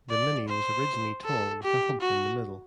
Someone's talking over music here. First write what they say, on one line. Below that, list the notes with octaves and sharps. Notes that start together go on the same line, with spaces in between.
The mini was originally tall with a hump in the middle.
D5
C5
A4
G4
F#4